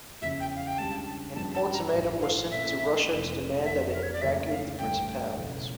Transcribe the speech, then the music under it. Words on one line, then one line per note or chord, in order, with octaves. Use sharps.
An ultimatum was sent to Russia to demand that it evacuate the Principalities.
E2 C#3 F3 C#4 E5
G5
F5
G5
C#2 C#3 G3 D4 G4 A5
G2 F3 C#4 G4 A5
A5
A#5
A1 A2 F3
F5
A#2 A3 C#4 E5
F1 F2 E3 A#3
F2 E3 A#3 E5
A#4
C#5
D5
D2 C#3 F3 A#3 E4 E5
F5
A1 G2 E3 A3 G5
E1 E2 C#3 F3 A3